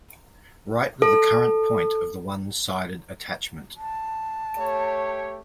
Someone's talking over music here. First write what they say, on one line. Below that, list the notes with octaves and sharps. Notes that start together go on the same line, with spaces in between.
Right with the current point of the one-sided attachment.
A4
A5
A3 G4 C#5